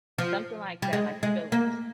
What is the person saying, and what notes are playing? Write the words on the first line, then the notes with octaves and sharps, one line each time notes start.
something like that, like fillers.
F3
G3
G#3
G#3
A#3